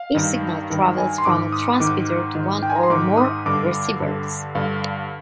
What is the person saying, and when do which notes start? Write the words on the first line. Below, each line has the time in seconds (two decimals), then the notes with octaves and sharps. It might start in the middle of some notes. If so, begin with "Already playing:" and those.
Each signal travels from a transmitter to one or more receivers.
Already playing: F5
0.15 G2 D#3
0.70 G2 D#3
0.98 G#5
1.18 C6
1.25 G#2 D#3 D6
1.52 D#6
1.80 G#2 D#3 D6
2.35 G#2 D#3
2.63 G5
2.70 G#5
2.76 A#5
2.83 C6
2.90 G#2 D#3 D6
3.18 D#6
3.46 G2 D3 D6
4.00 G2 D3
4.55 G2 D3 F5